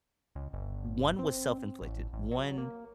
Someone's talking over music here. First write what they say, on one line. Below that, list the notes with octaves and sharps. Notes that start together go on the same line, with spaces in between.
one was self-inflicted. One,
C#2
G1
C4
A1
A1
F#3
A#3